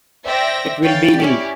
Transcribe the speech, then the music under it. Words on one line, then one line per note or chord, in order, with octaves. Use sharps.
It will be ill.
C5 D5 E5 G5 A#6
E3 C#5 F5 G5 A6
C#4 E4 G4 D5